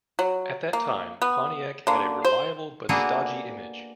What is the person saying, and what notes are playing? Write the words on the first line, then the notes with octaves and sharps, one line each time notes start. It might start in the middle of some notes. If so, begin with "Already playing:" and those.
At that time Pontiac had a reliable but stodgy image.
F#3
A#3
B3
D3 A#3
C5
A#3 B3 D4 F#4 G#4 A4